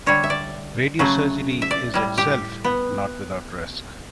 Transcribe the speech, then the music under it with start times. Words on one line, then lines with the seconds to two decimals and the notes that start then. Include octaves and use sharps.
Radiosurgery is itself not without risk.
0.06 D3 G3 C#5
0.24 E5
0.30 D5
0.99 C#3 F#3 A3
1.62 E5
1.71 D5
1.94 A2 G3
2.18 G4
2.64 B3